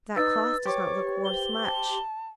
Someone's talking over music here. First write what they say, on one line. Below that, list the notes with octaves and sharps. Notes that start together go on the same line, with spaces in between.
'That cloth does not look worth much!'
D#4 B4 E6 A6
G4 C5 C#5 D6
G7
A5